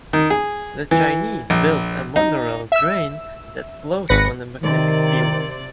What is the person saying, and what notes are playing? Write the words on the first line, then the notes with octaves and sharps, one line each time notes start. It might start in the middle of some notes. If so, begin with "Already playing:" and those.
The Chinese built a monorail train that floats on a magnetic field.
D#3
G#4
E3
A#1
D#4
E5 E6
G#1 B4 A#6 C#7
C3 D#3 D5